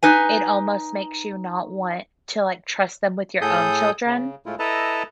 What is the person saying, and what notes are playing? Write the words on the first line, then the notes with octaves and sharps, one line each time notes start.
it almost makes you not want to, like, trust them with your own children,
D#4 B4 G#5
A2 G#4 A4 D#6 G6
C#3
A2 G#3 A3 E4 F4
E4 A4 B4 D#5 A5 A#5